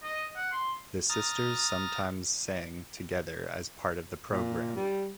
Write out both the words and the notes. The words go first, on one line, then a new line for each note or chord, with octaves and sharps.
The sisters sometimes sang together as part of the program.
D#5
F#5
C6
A#5 D#6 F6 A6
A#2
G3